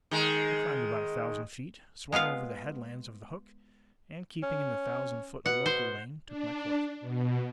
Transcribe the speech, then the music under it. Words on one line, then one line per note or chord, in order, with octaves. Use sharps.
I climbed about a thousand feet, swung over the headlands of the Hook, and, keeping in the thousand-foot local lane, took my course.
D#3 G#3
G#3 B3 F4 F5
C#4
B2 F#5
C5
D4
B2